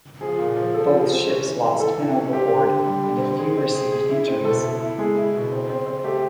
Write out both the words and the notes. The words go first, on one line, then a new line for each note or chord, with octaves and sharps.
Both ships lost men overboard, and a few received injuries.
F3 G#4
A#2
F3
F3 A4
F3
C4
C#4
E3
A3
E3 A4
E3
C#4
C4 G4
D3
D3
G3
D3
C4
G#4
C4
G#4
G#4
E4
C4
B2 A4
E4
E4
G#3 G#4
E4
B2
C4
C4
C4
A3 G4